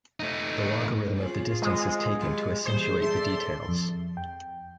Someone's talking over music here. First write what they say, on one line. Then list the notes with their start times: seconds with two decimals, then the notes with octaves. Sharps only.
The logarithm of the distance is taken to accentuate the details.
0.20 A3 D#4
1.16 C4 C#4 F4 G#4
1.62 D#2 G#3 C4 D#5
2.19 F#3 G4
2.66 A#2 E3 G3 G#4 C5
3.02 A4 D5 E5 C6
3.68 F2
4.17 G5